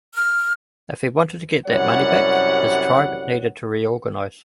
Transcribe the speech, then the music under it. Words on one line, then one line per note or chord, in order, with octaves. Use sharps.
If he wanted to get that money back, his tribe needed to reorganize.
F6
C2 F#2 G3 C#5 F#5